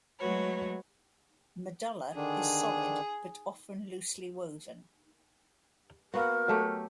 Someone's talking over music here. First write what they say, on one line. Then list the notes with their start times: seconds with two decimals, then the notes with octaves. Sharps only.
Medulla is solid, but often loosely woven.
0.19 F#3 G#3 A3 F#4 B4 C#5
2.15 D3 D#3 D4 G#4
6.14 A#3 B3 F#4 A#4
6.48 F#3 A3 G4